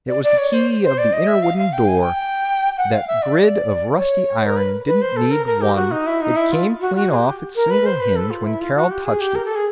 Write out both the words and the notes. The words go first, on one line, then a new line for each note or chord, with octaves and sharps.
It was the key of the inner wooden door--that grid of rusty iron didn't need one--it came clean off its single hinge when Carroll touched it.
D5
D5
C#5
C5
C5
D5
D#5
E5
F5
F5
G5
G#5
G5
F#5
F5
E5
D5
C#5
A#4
B4
B4
C5
A4
A#4
A#4
G4
F#4
D#4
E4
D#4
E4
F4
F#4
F#4
G#4
G4
A#4
B4
C5
B4
A4
F4
E4
F4
F#4
G4
G#4
G4
A#4
A4
G#4